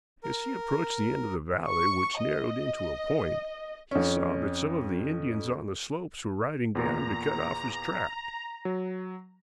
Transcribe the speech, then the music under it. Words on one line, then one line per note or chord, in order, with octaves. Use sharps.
As he approached the end of the valley, which narrowed into a point, he saw that some of the Indians on the slopes were riding down to cut off his track.
A#4
C#6
D#5
F2 C#4
E2 A#2 A#5
F#3